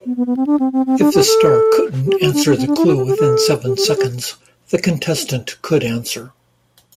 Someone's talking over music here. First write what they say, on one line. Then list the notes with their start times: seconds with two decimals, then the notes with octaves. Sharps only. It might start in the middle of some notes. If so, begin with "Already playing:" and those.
If the star couldn't answer the clue within seven seconds, the contestant could answer.
0.06 B3
0.17 B3
0.27 B3
0.37 C4
0.47 D4
0.60 C4
0.73 C4
0.86 C4
1.00 D4
1.13 G4
1.26 A4
2.07 G4
2.20 F#4
2.33 D4
2.46 D4
2.57 C4
2.67 D4
2.77 E4
2.86 F#4
2.96 G4
3.07 G4
3.17 A4
3.66 G4
3.77 G4
3.86 A4
3.97 G4